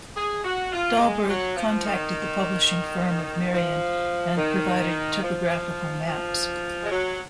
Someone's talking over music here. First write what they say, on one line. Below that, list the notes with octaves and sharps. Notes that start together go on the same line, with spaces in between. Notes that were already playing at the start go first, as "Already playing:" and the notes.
Dahlbergh contacted the publishing firm of Merian and provided topographical maps.
G#4
F#4
F4
G#3
F#3
F3
D#3
F3
D#3
F3
F3
G#3
F#3